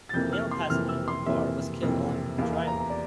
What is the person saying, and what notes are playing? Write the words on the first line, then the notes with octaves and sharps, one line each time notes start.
A male passenger in their car was killed along with the driver.
A6
F2 C3 E3 A#3 G6
F6
C6
F2 C3 E3 A#3 F6
E6
C6
F2 C3 E3 A#3 E5
F2 C3 E3 A#3
E2 E3 A#3 F5
F5
A#5
A#5
D5